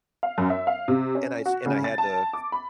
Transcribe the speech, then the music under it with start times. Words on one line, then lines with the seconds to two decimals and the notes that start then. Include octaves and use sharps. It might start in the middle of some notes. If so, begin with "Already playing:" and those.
and I s and I had to
0.23 F5
0.38 F#2
0.50 E5
0.67 F5
0.88 C3
1.15 C#4
1.46 F#4
1.66 C#3
1.84 A6
1.98 A5
2.33 D6
2.52 B5